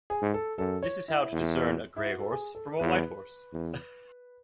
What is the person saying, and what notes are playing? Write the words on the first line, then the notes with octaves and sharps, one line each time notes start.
This is how to discern a gray horse from a white horse.
G#4
G#2
A4
F#2 A4
C#5
E4
E2
E4
F#4
A4
G#4
A4
E2 B4
E2